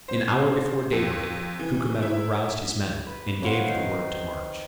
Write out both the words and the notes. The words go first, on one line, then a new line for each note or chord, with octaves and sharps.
An hour before daybreak, Cucumetto aroused his men, and gave the word to march.
C5
F2
E3
E4
B4
E3 C4 B4 C#5 F5 F#5
D#3 C7